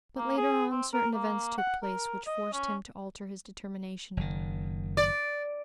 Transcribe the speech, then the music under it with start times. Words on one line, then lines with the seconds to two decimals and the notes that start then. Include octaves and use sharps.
But later on certain events took place which forced him to alter his determination.
0.17 A#3
0.37 G#4
0.71 C4
0.93 A#4
1.15 A#3
1.58 F#5
1.83 A#4
2.27 D#5
2.53 C#4
4.17 F#1 D#3
4.97 D5